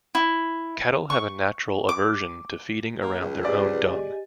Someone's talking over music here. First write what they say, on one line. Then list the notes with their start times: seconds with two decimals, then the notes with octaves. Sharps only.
Cattle have a natural aversion to feeding around their own dung.
0.15 E4
1.10 C#6
1.89 D6
3.01 A#3
3.20 C#2
3.43 G4 G#4 B4 C5 D5
3.83 G4 D#5 G#5